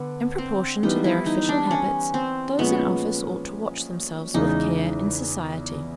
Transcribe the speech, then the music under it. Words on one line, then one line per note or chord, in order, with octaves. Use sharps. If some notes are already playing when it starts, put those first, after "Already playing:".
In proportion to their official habits, those in office ought to watch themselves with care in society.
Already playing: D3 B3
C4
E3 G3 B3 D#4
E4
D#4
D4
C#4
C4
A#2 F3 G#3 B3 C#4
E2 C#3 E3 G#3 D#4